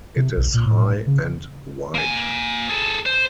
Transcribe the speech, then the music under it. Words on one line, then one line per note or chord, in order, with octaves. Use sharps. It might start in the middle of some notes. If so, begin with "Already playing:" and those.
It is high, and wide.
C3
B1
A#2
A2
C#3
A#3 G#5
G#4 A4
C5